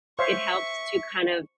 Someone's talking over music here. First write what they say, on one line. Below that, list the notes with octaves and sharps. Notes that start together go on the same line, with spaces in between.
it helps to kind of
C5 C#5 E5 F5 C#6